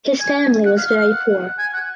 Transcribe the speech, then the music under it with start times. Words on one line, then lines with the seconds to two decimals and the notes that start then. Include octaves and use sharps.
His family was very poor.
0.20 G#5
0.66 F#5
0.78 F5
0.89 F5
1.01 F5
1.13 F#5
1.59 G#5
1.74 F#5